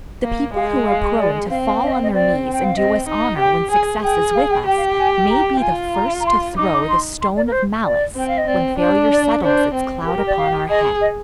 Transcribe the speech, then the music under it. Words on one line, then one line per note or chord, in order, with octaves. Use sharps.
The people who are prone to fall on their knees and do us honor when success is with us may be the first to throw the stone of malice when failure settles its cloud upon our head.
A#3
G#3 F5
F5
D5
C4 F5
F5
F5
D#5
F5
D#5
C4 D5
G5
F5
C4 D#5
D#4
G4 G5
G#4 G#5
G#4 G5
F5
G5
G4 G5
F5
G5
G#5
A#5
G5
F4 G#5
A#5
A#5
C6
D#4 D6
D6
C6
C6
D5
A#4
C5
D5
C4 G5
F5
D#5
C4 D5
D4 C5
D5
D4 C5
C4
G4 A#4
A#4
D5
F5
G#4 D#5
D#5